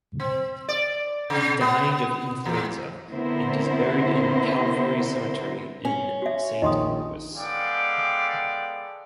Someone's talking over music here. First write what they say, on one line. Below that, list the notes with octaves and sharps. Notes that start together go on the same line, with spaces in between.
He died of influenza, and is buried in Calvary Cemetery in Saint Louis.
C4
D5
C#3
B3
E2
D3 B3 C4 E4 A#4 C5
C#4
F#4 E5
A#1 D#3 D#5 C6 D#6
G#3 B3 A4 D5 F5 G5